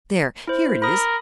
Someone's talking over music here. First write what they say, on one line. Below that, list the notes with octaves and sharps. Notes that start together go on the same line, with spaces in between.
There, here it is.
E4 C5
A#4 B5 D#6